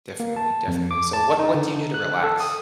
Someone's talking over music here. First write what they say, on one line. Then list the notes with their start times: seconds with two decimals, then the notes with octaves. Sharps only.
Definitely, definitely. So what what do you do to relax?
0.20 A#3
0.36 A5
0.68 F2
0.91 D6
1.13 A5
1.39 D#4
1.54 D3
1.94 F#6
2.24 A4
2.40 D#6